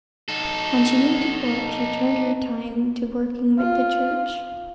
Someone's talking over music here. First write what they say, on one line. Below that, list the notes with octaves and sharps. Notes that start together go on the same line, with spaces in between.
When she moved to Cork she turned her time to working with the church.
D#4 A4
F4 F5